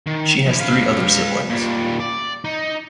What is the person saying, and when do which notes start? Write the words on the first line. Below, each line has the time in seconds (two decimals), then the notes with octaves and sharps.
She has three other siblings.
0.06 D#3
0.46 F3 E4
0.60 B4 F5
1.50 A#2 G3
2.00 D5
2.45 D#4